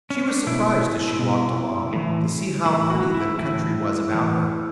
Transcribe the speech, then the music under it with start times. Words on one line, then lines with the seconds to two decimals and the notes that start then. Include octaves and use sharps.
She was surprised, as she walked along, to see how pretty the country was about her.
0.10 C#4
0.28 D4
0.47 B2 E4
1.19 B2
1.93 A2 E3
2.65 A2 E3 E4
2.90 F#4
3.14 E4
3.38 A2 E3 E4
4.12 A2 E3